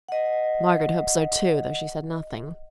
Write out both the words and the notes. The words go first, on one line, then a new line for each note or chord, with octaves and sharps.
Margaret hoped so too, though she said nothing.
D#5 F#5